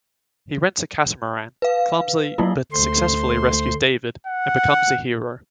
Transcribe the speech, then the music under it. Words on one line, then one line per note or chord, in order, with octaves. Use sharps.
He rents a catamaran, clumsily but successfully rescues David, and becomes a hero.
B4 F5
F#3 A3 A#3 E4 F4
D2 A3 C5 C6
F#5